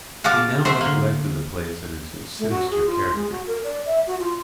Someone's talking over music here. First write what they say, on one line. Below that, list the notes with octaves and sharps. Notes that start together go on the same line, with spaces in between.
He now recollected the place and its sinister character.
G#3 F#4 F5 A5 D6
F#3 A3 C5 E5 C6
D3 A#3
A3
F#4
G#4
F4
G#3
F#4
A#4
D5
E5
F#4
F4